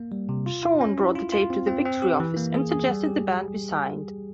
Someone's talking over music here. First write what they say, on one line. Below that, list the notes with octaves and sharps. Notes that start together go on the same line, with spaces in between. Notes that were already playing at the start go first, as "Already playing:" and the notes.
Sean brought the tape to the Victory office and suggested the band be signed.
Already playing: A#3
G3
C3
F4
F4
C#4
E4
F4
F4
C4
C4
C4
G4
E3
A#3
G#4
G#4
G3
G4